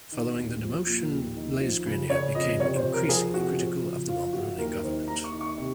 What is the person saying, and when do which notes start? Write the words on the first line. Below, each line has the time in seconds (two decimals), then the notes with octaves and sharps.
Following the demotion, Blais-Grenier became increasingly critical of the Mulroney government.
0.12 D#3
0.37 D#2
0.61 F3
0.87 A#2
1.11 D#2
1.36 D#3
1.60 F3
1.86 C#3
2.10 C#3 C#5
2.35 F2 D#5
2.59 C3 C#5
2.76 C5
2.85 F2
2.93 A#4
3.09 F3 G#4
3.34 C3 F#4
3.59 F3
3.84 C#3
4.08 F3 F4
4.33 F#2 F#4
4.58 D#2 A#4
4.83 D#3 C5
5.07 D#2 A#5
5.24 C#6
5.33 D#3
5.41 C#6
5.58 C3